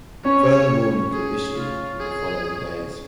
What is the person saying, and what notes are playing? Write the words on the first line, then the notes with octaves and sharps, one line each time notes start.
Further warnings were issued in the following days.
C#4 C#5
G#4
F4
G#4